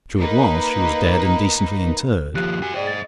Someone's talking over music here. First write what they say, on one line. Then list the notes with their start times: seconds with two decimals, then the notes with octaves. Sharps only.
True it was, she was dead and decently interred.
0.19 A#3 D#4 B4
2.35 D#2 F3 G4 F#6
2.62 F#4 G#5
2.74 G#4 C5 D5 D#5 G5
2.87 A6